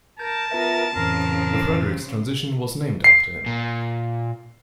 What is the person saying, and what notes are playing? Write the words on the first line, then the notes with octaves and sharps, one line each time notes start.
The Frederiks transition was named after him.
A#4 A5 G6
B3 F4 A#4 B4 E5
F2 A2 C#3 E3 C4 A#4
C7
A#2